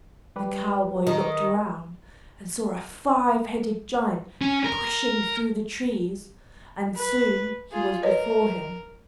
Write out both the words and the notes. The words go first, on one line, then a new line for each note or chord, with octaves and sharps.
The cowboy looked around and saw a five-headed giant pushing through the trees; and soon he was before him.
G3 G4 B4
D#3
C#4
A#4
B4
F4 G#4
A#4 B4 C#5 D#5